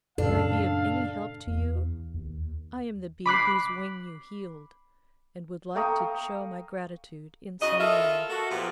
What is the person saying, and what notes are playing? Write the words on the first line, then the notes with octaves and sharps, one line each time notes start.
Can I be of any help to you? I am the bee whose wing you healed, and would like to show my gratitude in some way.'
F#2 A#2 C#3 D4 A4 F5
E2
D#2
B5 D6 F#6 C7
A4 F5 G5 A#5 C#6 D#6
C#3 F#4 D#5
F4 A4 A#4 E5
F#4 A4
A#2 F3 B3 F4 G4